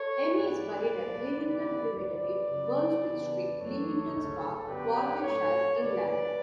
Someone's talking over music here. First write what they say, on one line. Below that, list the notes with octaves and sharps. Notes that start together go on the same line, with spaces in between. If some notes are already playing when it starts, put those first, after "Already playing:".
Amey is buried at Leamington Cemetery, Brunswick Street, Leamington Spa, Warwickshire, England.
Already playing: A4 C#5
G2 E3 G3 B4 D5
B1 A2 E3 A3 D4
D2 C#3 E3 G3 B3 B4 D5
D2 C#3 F#3 B4 D5
F#2 C#3 F#3 C#4
E2 C#3 G3 D4
F#2 E3 A3 D4 A4 C#5
D2 C#3 F#3 A3 C#4
F#2 D3 F#3 B3 D4 G4 B4
A2 F#3 C#4 A4 C#5
D2 C#3 G3 D4 B4 D5